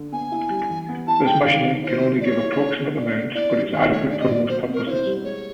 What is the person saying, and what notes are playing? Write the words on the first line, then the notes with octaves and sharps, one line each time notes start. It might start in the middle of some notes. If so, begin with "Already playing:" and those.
This measurement can only give approximate amounts, but is adequate for most purposes.
Already playing: D3
B3 G#5
E4
G3
E3
B3
E4 A5
G#3 G5
D#3 F5
B3
E4 C5 C#5
F#3
G#3 C#5 D5
E4
G#3
B3
D3 D5
B3
E4 D5
G3
D#3 C#5
A3 C#5
D4 D5
D#5
F#3 D5
B2 C5
C4
A#4
E4 C5 C#5
G3
G#3 C#5